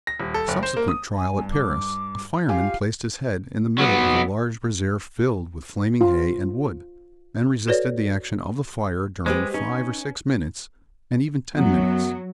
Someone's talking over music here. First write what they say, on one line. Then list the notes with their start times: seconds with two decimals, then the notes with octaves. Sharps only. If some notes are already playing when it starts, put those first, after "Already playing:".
In a subsequent trial, at Paris, a fireman placed his head in the middle of a large brazier filled with flaming hay and wood, and resisted the action of the fire during five or six minutes and even ten minutes.
0.07 A#6
0.20 D#1
0.34 A4
0.48 F#1
0.63 C5
0.77 A#3
0.88 D#6
1.16 G#5
1.39 G2
1.53 D6
2.49 F4 G4 F5 G#5
3.78 F#3 B3
6.01 F4
7.67 F#4 A4 B4 C#5 D5
9.26 G#3 G4 B4 C5
9.54 C#4 D#4
11.55 F#2 F#3 B3